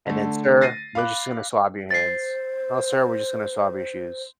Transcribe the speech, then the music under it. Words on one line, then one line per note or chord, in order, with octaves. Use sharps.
And then, "Sir, we're just gonna swab your hands. Oh, sir, we're just gonna swab your shoes.
D3 A3
A6 A#6 C7 D#7
F5 B5 D6 F#6
C5 A6 C7